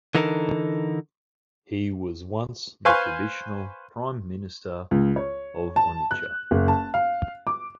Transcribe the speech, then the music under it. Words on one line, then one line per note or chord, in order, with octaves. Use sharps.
He was once the traditional Prime Minister of Onitsha.
D3 E3 D#4 A4 A#4
B4 C5 F5 G#5 C6 C#6
C#2
C#5
A5
F#6
F#1
A5
F5
D6